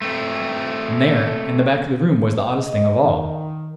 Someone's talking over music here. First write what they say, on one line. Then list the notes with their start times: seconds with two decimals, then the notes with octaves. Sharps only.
And there in the back of the room was the oddest thing of all.
0.02 A3 C4
2.60 D#5
3.02 D#3